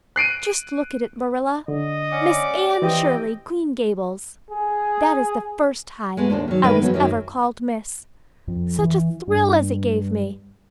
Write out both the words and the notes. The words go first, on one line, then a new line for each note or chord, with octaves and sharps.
Just look at it, Marilla. 'Miss Anne Shirley, Green Gables.' That is the first time I was ever called 'Miss.' Such a thrill as it gave me!
F#6 C7 D7 D#7
D3 D#5
C#4 D5 F#5 D6
E3 C4 G4 D#5 G5 D#6
G#4
G#3 A3 B3
D#2 A2 D4 C5
D#3 F#3
C3 D#3 G#3 A3 D4 B4
F2 F#3 B3 C4
F#2 D#3 F#3
F2
E3
G2